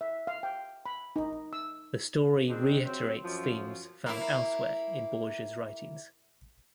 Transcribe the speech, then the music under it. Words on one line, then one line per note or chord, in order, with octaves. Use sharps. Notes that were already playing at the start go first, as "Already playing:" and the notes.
The story reiterates themes found elsewhere in Borges's writings.
E5
F5
G5
B5
D#4
E6
D#3 G#3 C4 D4
C3 F#3 C4 C5
F#2 F3
A#3 E4